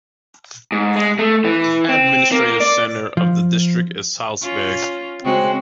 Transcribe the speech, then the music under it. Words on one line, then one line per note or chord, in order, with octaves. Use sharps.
Administrative center of the district is Salzburg.
G#2
G#3
A3
E3
C4
A#3
D5
F3
C#4 F4
C#3 G#3 C4 F#4